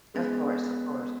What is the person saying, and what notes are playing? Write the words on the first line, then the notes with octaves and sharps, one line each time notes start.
Of course, of course.
G#3 B3 G#4 B4